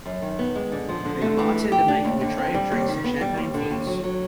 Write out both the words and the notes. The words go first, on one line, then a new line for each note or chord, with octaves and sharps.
A bartender making a tray of drinks in champagne flutes.
F#2
D#3
B3
G#3
D3
F3
D3
A3
E3
A3
G4
D4
D#2
D3
C4
G3
D#2
D#3
B3
G3
D#2
D3
D#2
F#3
F#3